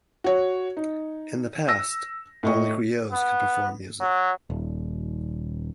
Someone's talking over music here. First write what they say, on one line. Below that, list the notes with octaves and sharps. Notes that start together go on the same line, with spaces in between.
In the past, only "griots" could perform music.
F#4 C#5
D#4
E6 A#6
A2 D#5 C#6
B3
F#3
D#1